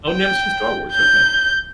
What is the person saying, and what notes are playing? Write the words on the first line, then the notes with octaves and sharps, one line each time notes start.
Oh, never seen Star Wars, okay.
G5
G6